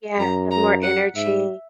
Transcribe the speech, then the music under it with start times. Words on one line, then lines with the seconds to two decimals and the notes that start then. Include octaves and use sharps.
Yeah, have more energy.
0.19 F#2 A#5
0.51 A#5
0.83 F#5
1.15 G#2 E5